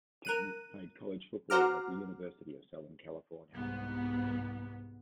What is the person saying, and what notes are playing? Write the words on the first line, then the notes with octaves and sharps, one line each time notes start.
Katnik played college football at the University of Southern California.
A#4 F#6 D#7
F#4 C5 F#5 A#5 D6 F6
C2 G#2 B3